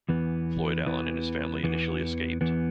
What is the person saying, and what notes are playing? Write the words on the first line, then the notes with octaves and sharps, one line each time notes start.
Floyd Allen and his family initially escaped.
E2 E3 B3
E2 E3 B3
E2 E3 B3
E2 E3 B3